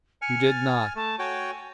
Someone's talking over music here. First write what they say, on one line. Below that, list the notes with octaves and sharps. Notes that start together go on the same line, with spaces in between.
You did not!
G#5 F6 C#7
A6
A3 A5
F#4 C#5 G5 G#5